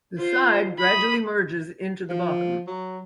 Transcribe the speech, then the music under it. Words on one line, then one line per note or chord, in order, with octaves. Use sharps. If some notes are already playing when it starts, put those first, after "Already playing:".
The side gradually merges into the bottom.
F4 C5
B5 D#6
F3
F#3